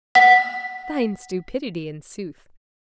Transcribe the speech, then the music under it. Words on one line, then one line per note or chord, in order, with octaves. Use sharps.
Fine stupidity, in sooth!
F#5 B6